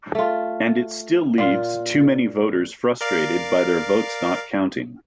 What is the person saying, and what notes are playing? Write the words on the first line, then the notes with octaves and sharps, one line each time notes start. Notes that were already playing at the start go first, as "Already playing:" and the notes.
And it still leaves too many voters frustrated by their votes not counting.
A3 F4
A#2 F4
A#4 D5 F5